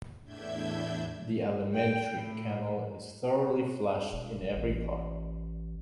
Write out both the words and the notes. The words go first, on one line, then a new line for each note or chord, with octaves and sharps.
The alimentary canal is thoroughly flushed in every part.
E2 A2 D4 E5 G6 G#6
G5
A2
E1
A1